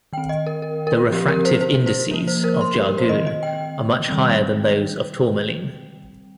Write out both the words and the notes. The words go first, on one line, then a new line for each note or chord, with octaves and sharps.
The refractive indices of jargoon are much higher than those of tourmaline.
D#3 C4 G5
D#5
A#4
A#4
A#4
F3 C4 G4
A#4
C5
C5
C5
F3 A#3
C5
A#4
C6
G4
A#4
C5
D#3 C4 D#5
D#5
G5
D#3 G3 C4